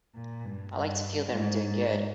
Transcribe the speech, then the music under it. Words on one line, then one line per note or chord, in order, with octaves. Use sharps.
I like to feel that I am doing good.
A#2
G2
G2
G#2
G#2